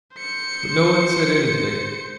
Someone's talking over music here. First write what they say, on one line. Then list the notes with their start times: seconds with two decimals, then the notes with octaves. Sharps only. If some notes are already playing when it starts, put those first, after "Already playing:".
But no one said anything.
0.16 C5 C#7